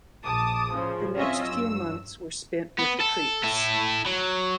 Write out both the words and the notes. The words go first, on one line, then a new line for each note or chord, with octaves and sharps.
The next few months were spent with the Creeks.
A#1 A5 D6 D#6
A2 C#3 F3
F#3 C4 C#4 F4 D#5 E5
G2 F#3 E6
B3
A4
E4 A4
F#3